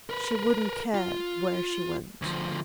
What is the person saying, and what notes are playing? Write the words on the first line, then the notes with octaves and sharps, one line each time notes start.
She wouldn't care where she went.
A#4 B4
F4
D2 F3